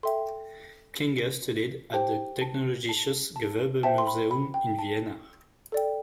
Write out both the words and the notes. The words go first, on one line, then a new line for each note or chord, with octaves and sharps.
Klinger studied at the Technologisches Gewerbemuseum in Vienna.
A4 E5 G5 C6
G4 C5 G5 A5
A5
A5
A5
C5 E5 G5 A5
C6
B5
B5
G5
A5
A4 D5 G5